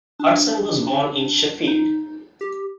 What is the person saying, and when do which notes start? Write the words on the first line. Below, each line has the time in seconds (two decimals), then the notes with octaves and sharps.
Hudson was born in Sheffield.
0.19 D4
1.67 D#4
2.41 G4